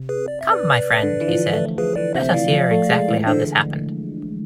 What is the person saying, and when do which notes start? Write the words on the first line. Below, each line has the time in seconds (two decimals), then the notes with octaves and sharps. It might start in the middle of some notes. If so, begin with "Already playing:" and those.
"Come, my friend," he said, "let us hear exactly how this happened!"
Already playing: C3
0.09 G#4 B4
0.28 D5
0.41 E5
0.52 B4 D5
1.03 D3
1.21 E3
1.28 F3
1.53 A3
1.78 F3 G#4 B4
1.96 E3 B4 D5
2.15 C3 C5 E5
2.33 E3 D5 F5
2.47 E3
2.52 F3
2.71 A3
2.89 G#3
3.08 E3
3.27 D3 A4 C5